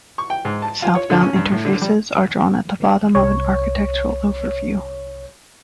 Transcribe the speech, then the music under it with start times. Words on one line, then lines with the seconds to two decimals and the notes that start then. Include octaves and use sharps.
Southbound interfaces are drawn at the bottom of an architectural overview.
0.18 C#6
0.30 G5
0.45 G#2
0.62 A5
0.82 F4
0.95 C#5
1.10 D3
1.23 C#4
1.35 G2
1.52 A2
1.65 D3
1.82 G3
3.15 C2 C#5